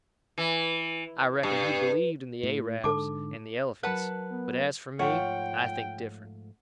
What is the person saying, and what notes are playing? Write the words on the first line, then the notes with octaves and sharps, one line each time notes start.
I reckoned he believed in the A-rabs and the elephants, but as for me I think different.
E3
G2
A2
G#2 D3 A4 A5 D6
F#3 A#4 B4 F#5 A5 F#6
B3
G#2 F3 A3 F4 C#5 F#5 G5